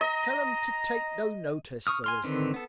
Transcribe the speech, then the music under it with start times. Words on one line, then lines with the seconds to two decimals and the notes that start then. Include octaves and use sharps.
Tell 'em to take no notice, Sir Risdon.
0.01 D#5 A#5
1.87 C#6 D#6 F6
2.04 G#5 C6 F6
2.23 D3 D#3 C4 B4
2.54 B3 A4